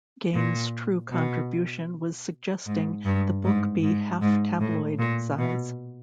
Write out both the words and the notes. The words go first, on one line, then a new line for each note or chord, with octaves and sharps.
Gaines' true contribution was suggesting the book be half-tabloid size.
A#2
B2
G#2
G2
G#2
G#2
G#2
A2
A#2
B2